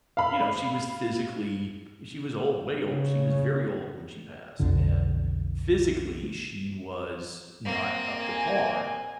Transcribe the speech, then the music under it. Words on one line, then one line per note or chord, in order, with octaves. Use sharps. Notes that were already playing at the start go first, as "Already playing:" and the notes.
you know, she was physically She was old, way old, she was very old when she passed, and physically she was not up to par,
F5 B5
C#3
B1 F2 D3
A#3 C4
G#5